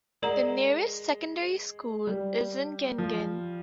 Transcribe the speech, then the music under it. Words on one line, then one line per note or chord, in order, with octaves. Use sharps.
The nearest secondary school is in Gin Gin.
G#3 A#4 D5 F#5 A#5
G3
F3